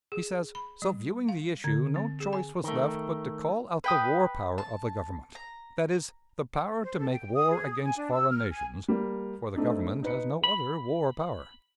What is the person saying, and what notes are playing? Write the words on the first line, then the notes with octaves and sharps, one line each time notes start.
He says, "So viewing the issue, no choice was left but to call out the war power of the Government." That is the power to make war against foreign nations, for the Government has no other war power.
G#4
B5
G3
F5
D3
C4
G#4
G#5
D#3 A3
B4 G5 D#6
A5
A#5
C5
A4
G5
D#6
G#4
D#6
G#5
D4
E6
F6
G#5
G3 A#3
A3 C4 D4 D#4
D#4 B4 C#7
B5